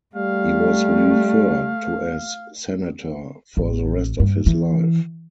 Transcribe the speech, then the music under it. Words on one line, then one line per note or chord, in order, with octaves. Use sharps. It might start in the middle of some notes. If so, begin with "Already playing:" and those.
He was referred to as "Senator" for the rest of his life.
G3 A3 F5
A1
G2
E3